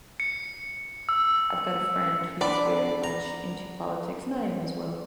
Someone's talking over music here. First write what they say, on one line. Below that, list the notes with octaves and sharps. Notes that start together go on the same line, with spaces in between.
I've got a friend who's very much into politics, and I am as well,
C#7
E6
D4 D5 F#5 B5 D6
A#5